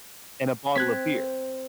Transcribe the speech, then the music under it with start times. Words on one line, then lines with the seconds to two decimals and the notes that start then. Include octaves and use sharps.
and a bottle of beer.
0.76 C4 F#6 G#6 B6